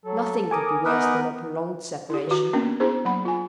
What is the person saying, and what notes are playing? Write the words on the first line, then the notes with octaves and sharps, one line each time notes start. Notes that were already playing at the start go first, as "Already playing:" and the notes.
Nothing could be worse than a prolonged separation.
F#3 A4
A#4 G#5 D6 D#6
B3 D#4 A#4 B4
E4 G4
D#3 F#4
A#3 B3 C#4 D4 A#4
B3 D4 E4 G#4 C5
F#3 A#3 F#5 B5
F4 G#5